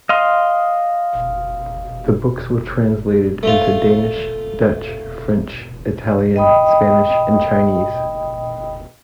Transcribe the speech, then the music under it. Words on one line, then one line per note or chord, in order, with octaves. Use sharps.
The books were translated into Danish, Dutch, French, Italian, Spanish and Chinese.
D#5 F5 C6
A3 F4
D#5 G5 B5 D#6